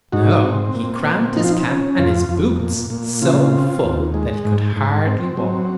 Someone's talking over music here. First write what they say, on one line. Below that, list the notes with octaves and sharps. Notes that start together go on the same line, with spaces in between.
No, he crammed his cap and his boots so full that he could hardly walk.
G#2 D#4 F#4
C4
A#2
C4
F3 D#4
F4
D#4
C#4
F2 F4
F2
A#2
A#2
C#3 F4
C4
D#2
G#3
G#2
G#2
C4
F#3